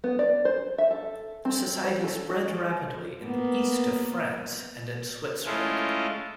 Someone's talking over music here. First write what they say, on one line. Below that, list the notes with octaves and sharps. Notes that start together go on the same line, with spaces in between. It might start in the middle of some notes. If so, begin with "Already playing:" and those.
The society spread rapidly in the east of France and in Switzerland.
B3
D5
C5
E5
A4
C4
C5
A4
F#4
A#3 B3
G#3 A3 C#4 E4 F4